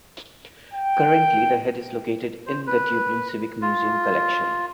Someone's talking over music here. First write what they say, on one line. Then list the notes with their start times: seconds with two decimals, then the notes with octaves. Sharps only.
Currently the head is located in the Dublin Civic Museum collection.
0.74 G5
2.46 C5
2.67 B4
3.62 F4